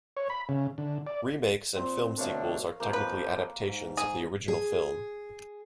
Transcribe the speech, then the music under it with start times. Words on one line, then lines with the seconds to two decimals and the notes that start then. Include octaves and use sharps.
Remakes and film sequels are technically adaptations of the original film.
0.17 C#5
0.30 B5
0.49 C#3
0.78 D3
1.07 D5
1.76 A#2 C4
2.17 D2 B2 D4 A#4 C#5 F5
2.80 F2 F3 A#3 F5 D6
2.93 B4
3.64 G#2
3.97 G#4
4.48 G#4